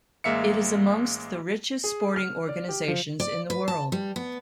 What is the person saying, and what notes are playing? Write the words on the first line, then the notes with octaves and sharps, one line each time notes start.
It is amongst the richest sporting organisations in the world.
A1 G#3 A#3 E5 F5 C#7
G#4
F6
D5
G4
F3
D5
B4
A5
G3
B3